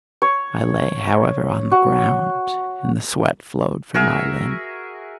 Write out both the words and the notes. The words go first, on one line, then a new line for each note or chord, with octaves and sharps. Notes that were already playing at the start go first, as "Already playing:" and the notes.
I lay, however, on the ground, and the sweat flowed from my limbs.
C#5
F#4
F#4 G#4 A#4 E5